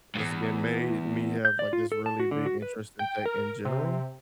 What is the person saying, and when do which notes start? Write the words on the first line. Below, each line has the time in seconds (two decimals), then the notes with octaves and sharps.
just again made me have, like, this really big interest in tech in general,
0.15 E2 G2
1.45 G6
1.59 D5
1.73 F4
1.92 A4
2.06 A5
2.20 F#4
2.31 D3
2.46 F#4
2.62 B4
2.99 G5
3.25 A#4
3.65 C3